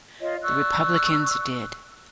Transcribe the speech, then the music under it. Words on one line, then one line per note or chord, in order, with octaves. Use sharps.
The Republicans did.
F4 C#5 D#5
D5 C#6 E6 F#6